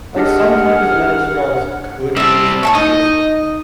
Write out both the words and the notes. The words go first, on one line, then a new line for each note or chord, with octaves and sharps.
like, sometimes the metal straws could be expensive.
D#2 D4 G4 G#4 D#5 F#5 F6
G3 C4 E5 A5
C#5 A5 C#6
D#4 D#5